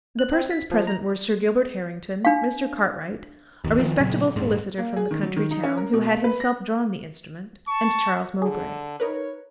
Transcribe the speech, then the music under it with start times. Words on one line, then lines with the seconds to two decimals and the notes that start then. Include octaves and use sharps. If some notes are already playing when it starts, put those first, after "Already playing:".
The persons present were Sir Gilbert Harrington, Mr. Cartwright, a respectable solicitor from the country town who had himself drawn the instrument, and Charles Mowbray.
0.19 F#6
0.33 C4
0.50 B6
0.71 F3
0.87 A#5
2.25 D4 F5
3.64 G#1 D#2
3.79 D#3 F3
4.00 A#2 C#3 F#3 C4
4.36 D#1 G#2
4.78 A#3
4.96 G#4
5.11 D#3
5.23 F#3
5.36 D#3
5.51 D#4
5.64 C#4
5.77 A#4
5.93 B2
6.07 A#3
6.24 B4
6.40 A#6
7.67 A5 C#6
8.42 D3 G#4
9.00 D#4 A#4 B4 C#5